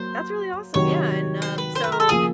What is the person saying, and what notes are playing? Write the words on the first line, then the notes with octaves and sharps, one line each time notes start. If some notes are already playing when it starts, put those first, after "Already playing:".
that's really awesome. Yeah, and, um, so,
Already playing: F#3 A#3 C5
C3 D#3 F#3 C#5
C5
B4
C5
B4
A#4
A4
C#3 F3 A#3 G#4